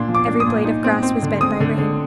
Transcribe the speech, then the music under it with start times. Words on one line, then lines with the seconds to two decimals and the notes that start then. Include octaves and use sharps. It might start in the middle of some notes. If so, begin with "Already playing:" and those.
Every blade of grass was bent by rain.
Already playing: A#2 A#3 D4 C6
0.09 F3
0.15 D6
0.27 D4
0.40 D#6
0.46 A#2
0.65 D#4
0.84 C4
1.03 C4
1.23 D3
1.41 C4 D#6
1.60 D3
1.78 D3